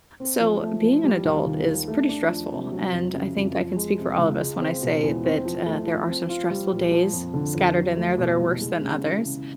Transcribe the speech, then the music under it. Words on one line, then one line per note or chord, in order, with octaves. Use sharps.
So, being an adult is pretty stressful, and I think I can speak for all of us when I say that, uh, there are some stressful days scattered in there that are worse than others.
C4
F3
A3
F3
G3
D#2
D#3
D#2
A3
D4
F3
C3
F#3
F2
C#3
F2
F3
G#3
C3
C#2
G#3
C4
B2
E2
C4
F3
A3
F3
C4
F4
G3
A#2
F3
F2
D3
F2
F#3
A3
B2
C2
G#3
C#3
E3
C#3